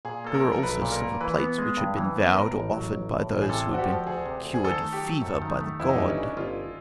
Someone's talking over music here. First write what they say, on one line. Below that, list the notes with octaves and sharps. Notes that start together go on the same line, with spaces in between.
There were also silver plates which had been vowed or offered by those who had been cured of fever by the god.
A#2 G#4
A#3 A4
A#4
F3
A#4
B1 B4
A#2
A#4
A#3
E3 B4
B3
G#3
G2
E3
B3
B4
A2 A#4
A1
F#3
A1
A2
A1
G#4
C3 A4
D2
F#4
G4
F3
D2 G#4
C3
D2
G#4
D#3 A4
A3
G4
F#3
F#2
D#3
A3
F2 E4
D#4
G1 D4
C#4
C#3 D4
G1 F4